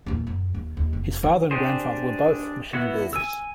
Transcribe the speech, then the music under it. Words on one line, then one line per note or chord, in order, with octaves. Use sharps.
His father and grandfather were both machine builders.
E2 A#2
F#2
D#2
D#2
F1
E3
D4 G4 G#4 C5
B3 E4 F#4
G#5 E6